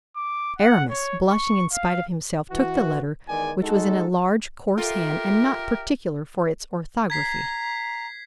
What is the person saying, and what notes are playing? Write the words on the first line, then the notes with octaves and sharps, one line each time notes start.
Aramis, blushing in spite of himself, took the letter, which was in a large, coarse hand and not particular for its orthography.
D6
F#5
C#5
C#6
F5
E3 F#4
E2 D#3 G#3 D5 G#5
G#3 D#4 F#4 A4
F4 G4 A4 A#4 E5
A#5 G#6 B6 C7